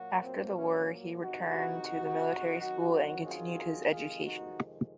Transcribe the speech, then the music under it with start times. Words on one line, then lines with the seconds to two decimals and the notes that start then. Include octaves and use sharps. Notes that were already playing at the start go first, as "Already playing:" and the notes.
After the war he returned to the Military School and continued his education.
Already playing: A#2 F#3 A#3 F#4
0.22 C4
0.57 C#4
1.23 C#2 C3 D#3 G#3 D#4 F#4
2.57 F#2 D#3 F#3 C4
3.24 F4 G#4
3.91 F2 C3 D#3 G#3 F4 G#4
4.25 D#4 F#4